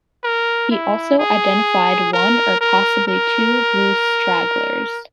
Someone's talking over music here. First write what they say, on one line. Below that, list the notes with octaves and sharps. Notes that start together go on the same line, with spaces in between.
He also identified one or possibly two blue stragglers.
A#4
E4
G#4
A#4
A#4
A#4